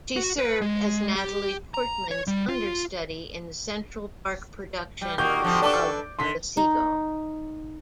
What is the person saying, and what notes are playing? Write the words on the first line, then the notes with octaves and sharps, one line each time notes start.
She served as Natalie Portman's understudy in the Central Park production of "The Seagull".
F#4
B4
G#3
G4
A#5
C#5
G3
F4
G3 G5
A#2 D#3 A#3 F#4 G4 G6
D3 F3 C4
D4 A4 B4 D5 D6
D3 D#3 C6 B6
D#4